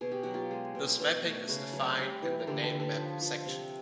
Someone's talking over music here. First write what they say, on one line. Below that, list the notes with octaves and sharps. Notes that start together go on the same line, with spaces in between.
This mapping is defined in the name map section.
B2 G#4
G4
F#3 F#4
F4 G4
G#3
B2
B2
A3
C#3 F#4 G#4
F#3
G3
E3
A#4
D3 G4 A4
A4 B4
D3
A4 B4
F3
F3
C3